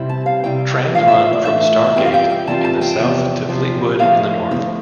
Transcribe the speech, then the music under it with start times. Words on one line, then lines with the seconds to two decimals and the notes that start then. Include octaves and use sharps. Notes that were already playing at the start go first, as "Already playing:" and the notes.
Trams run from Starr Gate in the south to Fleetwood in the north.
Already playing: C3 G3 C4 E4
0.09 A5
0.26 F5
0.44 C3 G3 C4 E4 G5
0.94 A2 E3 A3 D4 F4 F5
1.08 E5
1.19 E5
1.33 D5
1.45 A2 E3 A3 D4 F4 E5
1.96 E3 G3 C4 F4 G5
2.05 F5
2.13 G5
2.30 G5
2.47 E3 G3 C4 F4 A5
2.64 A5
2.81 G5
2.98 E2 C3 F3
3.49 E2 C3 F3
3.99 D3 F3 A3 C4 E4 F5
4.51 D3 F3 A3 C4 E4